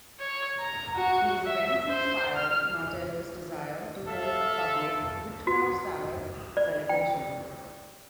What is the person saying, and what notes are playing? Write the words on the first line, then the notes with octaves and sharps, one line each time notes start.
These events inspired Martello's desire to hold a public Witchcraft Sabbat celebration.
C#5
A#5
F#4
E5
C5
F6
A4 E5 F5 A5
F#4
D5
G5